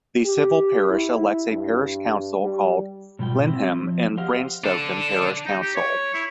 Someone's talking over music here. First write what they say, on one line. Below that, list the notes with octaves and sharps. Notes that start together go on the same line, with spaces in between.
The civil parish elects a parish council called Lyneham and Bradenstoke Parish Council.
G4
E4
G2
G3
G#2 B2 G3 F4 G5
C4 E4
F3
G4 C5 D#5 F5 F#5
D4 A4
D#4
G4
C#5
E4